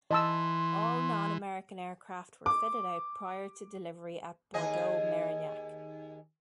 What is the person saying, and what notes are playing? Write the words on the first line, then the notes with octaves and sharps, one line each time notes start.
All non-American aircraft were fitted out prior to delivery at Bordeaux-Merignac.
E3 D#5 A5 C6 E6
D6
D#2 G#4 D#5